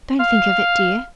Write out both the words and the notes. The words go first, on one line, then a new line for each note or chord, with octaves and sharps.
'Don't think of it, dear.
F5